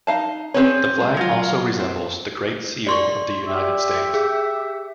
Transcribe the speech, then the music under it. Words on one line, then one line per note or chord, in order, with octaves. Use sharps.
The flag also resembles the Great Seal of the United States.
D#4 F5 A5
C4 C#4 G#4 B4 C#5
G#3
F#3 F4
C4
D5 C6 C#6
G4 E5
G#4